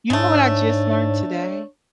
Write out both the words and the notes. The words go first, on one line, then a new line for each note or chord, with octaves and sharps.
you know what I just learned today?
G#2 G#3 A3 D4 C#5